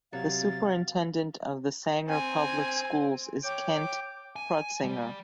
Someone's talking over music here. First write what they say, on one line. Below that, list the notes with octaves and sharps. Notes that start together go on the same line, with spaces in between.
The superintendent of the Sanger Public schools is Kent Crutsinger.
C3 F#3 F5 A6
C4 G#5
C#5 G5 D6
G#5
G3